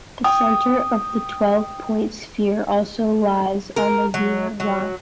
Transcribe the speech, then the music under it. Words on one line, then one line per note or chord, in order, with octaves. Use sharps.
The center of the twelve-point sphere also lies on the Euler line.
G5 D#6
A#4
F#3
F#3